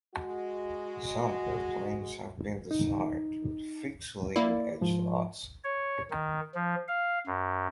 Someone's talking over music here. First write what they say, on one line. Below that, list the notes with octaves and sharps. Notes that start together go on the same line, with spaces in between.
Some airplanes have been designed with fixed leading edge slots.
G#3 F#4
D#4
A#3 E4 D5
G#2 F3
C#5
D#3
F3
F5
F#2